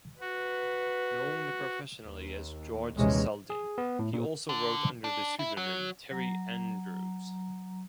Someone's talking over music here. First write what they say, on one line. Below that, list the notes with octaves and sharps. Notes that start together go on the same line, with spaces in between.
Known professionally as George Selden, he also wrote under the pseudonym Terry Andrews.
F#4 B4
D#2
A#1 D#2 C3 E3 G#3 C#4
G#4
B3
A2
A#2
D3
D4
E4
F#3
F#3 A#5